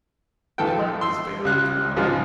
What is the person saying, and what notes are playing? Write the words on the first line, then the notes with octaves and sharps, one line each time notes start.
My heart was fairly throbbing.
A#1 E3 A4 G5
C6 E6
C#2 F#6
C#2 G#2 F3 G#3